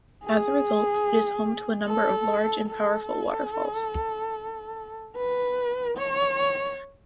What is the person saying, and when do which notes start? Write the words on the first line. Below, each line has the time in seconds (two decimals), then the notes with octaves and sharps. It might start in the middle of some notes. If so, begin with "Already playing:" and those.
As a result, it is home to a number of large and powerful waterfalls.
0.24 G#4
1.87 A4
2.70 A4
5.16 B4
5.97 C#5